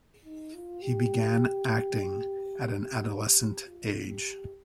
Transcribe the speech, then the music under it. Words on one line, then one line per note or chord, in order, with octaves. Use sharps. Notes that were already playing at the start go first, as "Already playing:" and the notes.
He began acting at an adolescent age.
D#4
F4
G4
G4
G4
F4
G4